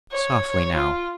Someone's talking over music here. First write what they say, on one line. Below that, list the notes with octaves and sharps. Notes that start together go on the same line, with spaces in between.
Softly now.
C#5
F4